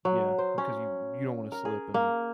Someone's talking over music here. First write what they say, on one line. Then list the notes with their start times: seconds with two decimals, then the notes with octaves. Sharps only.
Yeah, because you you don't wanna slip and
0.05 F#3
0.38 C5
0.58 C#4
1.52 A#4
1.65 G#4
1.94 A#3